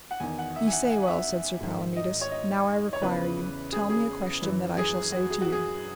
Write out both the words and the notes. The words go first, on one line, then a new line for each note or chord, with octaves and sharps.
Ye say well, said Sir Palomides; now, I require you, tell me a question that I shall say to you.
F#5
E2 D#3 G#5
F#5
E5
G#5
F#5
F#5
G#5
F#5
E5
G#2 D#3
D#5
C#5
D#5
C#5
E2 C#3 E3 B4
G#4
G#4
F#2 E3
G#4
F#4
G#4
F#4
G#4